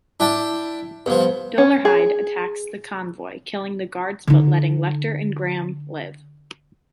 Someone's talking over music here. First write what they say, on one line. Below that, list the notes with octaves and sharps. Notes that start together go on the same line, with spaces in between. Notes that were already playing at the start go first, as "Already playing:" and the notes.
Dolarhyde attacks the convoy, killing the guards but letting Lecter and Graham live.
D4 E4 G5 A5
G2 F3 B3
C#4
G#4
D3 D#4